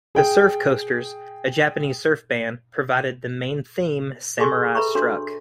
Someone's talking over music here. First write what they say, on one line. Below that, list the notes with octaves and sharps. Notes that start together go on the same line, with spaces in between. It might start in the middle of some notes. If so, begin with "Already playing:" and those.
The Surf Coasters, a Japanese surf band, provided the main theme, "Samurai Struck".
G#4 G5
G#4 A4 G#5 C6 C#6
A4 B4 E5 A#5 B5 C#6
D4 F#4 A4 C#5 C6